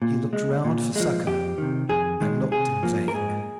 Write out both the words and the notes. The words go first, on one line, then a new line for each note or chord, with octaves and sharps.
He looked round for succour, and looked in vain.
A#2
G#3
A#2
F3 G#3
F2 G4
C3 D#3
F2 G#4
D#3 G#3
C3 G#4
F3 A#3
A#4
G#2 G#4